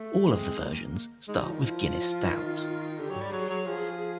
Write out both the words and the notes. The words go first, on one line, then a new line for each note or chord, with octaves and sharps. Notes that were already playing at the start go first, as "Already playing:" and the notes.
All of the versions start with Guinness Stout.
Already playing: A3
G#3 C4
A#3
G#3 D#4
G3
F3
D#3
F3 E4
F4
E3
D#3
D3 G4
F#3
G3
F#3 G#4
F#3
F3 G#4